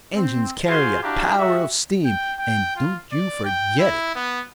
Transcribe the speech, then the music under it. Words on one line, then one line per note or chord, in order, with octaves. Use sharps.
Engines carry a power of steam, and don't you forget it.
C4
F4 F#4 G#4 C5 G#5 C6
D4 E4 F#4 G4 F5 A#5
G#3 F#4 G4 E5
G5
G5
F4
D5
G5
E4
B3